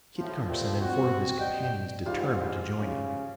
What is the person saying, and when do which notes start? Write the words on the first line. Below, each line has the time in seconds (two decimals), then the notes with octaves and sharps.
Kit Carson and four of his companions determined to join him.
0.18 A2 F3
0.47 D#3 F3 G3 A3 B3 C4
0.80 C4 F#4
1.38 G4 D5 D#5 G5
2.05 G#2 G3 F4
2.81 C#3